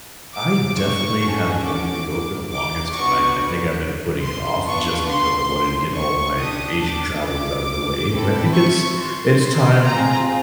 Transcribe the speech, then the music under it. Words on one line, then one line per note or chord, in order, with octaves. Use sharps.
I definitely have wanted to go for the longest time. I think I've been putting it off just because I wanted to get all my Asian travels out of the way, but I think it's it's time
D6
C#6
C#4 F#4 A4
D6
D6
B3 D4 F#4 C#6
C6
B3 D4 F4 C#6
C6
C#6
D4 G4 D#6
D6
D6
C4 E4 A4
C#6
C6
C6
C4 F4 G#4 A#5